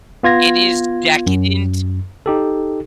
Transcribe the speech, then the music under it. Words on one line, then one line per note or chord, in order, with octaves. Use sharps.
it is decadent
B3 F4 G#6 A#6
F#2
D#4 G4 A4